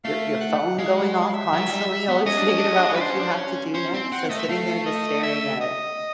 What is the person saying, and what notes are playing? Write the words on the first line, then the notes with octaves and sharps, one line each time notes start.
your your phone going off constantly, always thinking about what you have to do next, so sitting there just staring at,
A3 F5
F#5
G#3 F5
F#5
F5
F5
E5
F#3
F#3
G3
B3
C#4 D#5
D4
C#4
D4
C#4
D4
C#4
B4
D4 C5
C#4
D4
C#4
C#4 C5
C4
C4 F#5
A3 D#5
E5
A3 F5
D#5
E5
D#5